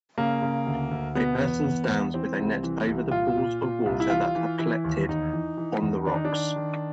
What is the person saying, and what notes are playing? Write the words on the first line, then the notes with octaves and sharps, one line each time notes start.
A person stands with a net over the pools of water that have collected on the rocks.
C#3 A#3
C#3
D2
D2
B2 B3
E2
E2
E2
E3 C4
C2
E3
C2
A#2 F4
A#2
A#2
C2
E4
E3 F4
E3
E3 E4
D#2
E2 D#4
E3
E3
E2
D#3 D4
D#4
D4
D#3
D#3